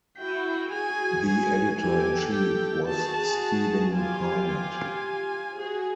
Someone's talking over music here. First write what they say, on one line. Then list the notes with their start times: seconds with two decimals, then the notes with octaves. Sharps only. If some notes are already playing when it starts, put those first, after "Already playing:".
The editor-in-chief was Stevan Harnad.
0.18 E4 F#4 G5
0.72 F#4 G#4 G#5
1.26 G#5
1.80 G4 A4 G#5
2.34 G5
2.88 F#4 G#4 A5
3.41 A5
3.95 F4 G4 G#5
4.49 G#5
5.57 F#4 G#4